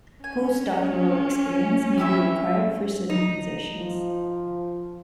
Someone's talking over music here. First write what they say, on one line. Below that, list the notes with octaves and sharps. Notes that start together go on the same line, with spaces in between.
Postdoctoral experience may be required for certain positions.
C#4 G#5
E4 G4 E5
D#4
F3